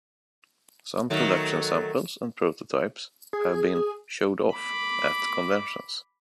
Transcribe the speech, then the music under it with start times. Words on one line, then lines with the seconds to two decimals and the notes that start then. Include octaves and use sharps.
Some production samples and prototypes have been showed off at conventions.
1.10 D#3 F#3 A3
3.33 G#4
4.55 B5 D6